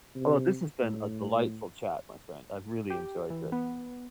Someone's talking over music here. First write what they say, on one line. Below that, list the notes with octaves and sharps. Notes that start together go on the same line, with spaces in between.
Oh, this has been a delightful chat, my friend. I've really enjoyed this.
C3
A2
G4
E3
B3